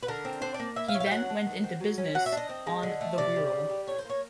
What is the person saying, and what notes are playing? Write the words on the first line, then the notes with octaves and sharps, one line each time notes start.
He then went into business on the Wirral.
B4
D3 A#4
C4
D4 C5
D5
A#3
E4 E5
F5
C#4
F5
G5
F#3 F#5
D4
D#3
C4
F#3
C#4
F#3 F#5
E5
D4
D#5
C4
G#3
D3
A3
C3 D5
G3
C#3
G3
A2 C#5
C5
A#3 C#5